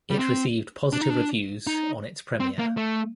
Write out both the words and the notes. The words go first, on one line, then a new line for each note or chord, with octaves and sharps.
It received positive reviews on its premiere.
G3
C4
D4
D#4
D4
D#4
C4
A#3
A3